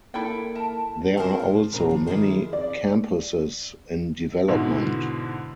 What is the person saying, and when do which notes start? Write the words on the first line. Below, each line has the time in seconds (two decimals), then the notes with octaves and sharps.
There are also many campuses in development.
0.14 A#3 E4 A4 G5
0.55 A#4 E5 A5
1.17 C4 F4 G#4 A#4 C5 A5
1.39 D2 A2
1.73 A#2 C#3 C4 G#4 B4 A#5
1.91 F3
2.06 F#2 D#3 G3 E4 G#4 C5
2.53 D5
4.48 G#2 B2 D3 E4